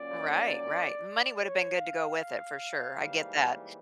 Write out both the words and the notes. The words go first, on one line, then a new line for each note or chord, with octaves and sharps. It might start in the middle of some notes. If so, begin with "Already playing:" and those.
Right, right. Money would have been good to go with it for sure. I get that.
Already playing: A#2 F#3 A#3 C#4 D5
C#5
F5
F5
G#2 E3 G3 A#3